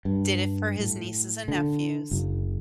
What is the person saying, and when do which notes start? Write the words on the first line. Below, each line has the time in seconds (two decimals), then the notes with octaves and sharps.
Did it for his nieces and nephews.
0.05 G2
0.80 A2
1.48 D3
2.11 F#1